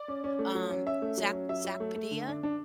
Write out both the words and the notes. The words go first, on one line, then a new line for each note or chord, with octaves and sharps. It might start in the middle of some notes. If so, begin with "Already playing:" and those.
um, Zack Zack Padilla
Already playing: D5
C#4
C#4
A3
F#3
C#4
C#4 E5
A3
F#3
C#4
F#3 E5
F#3
A3
A3
D3
D4
D4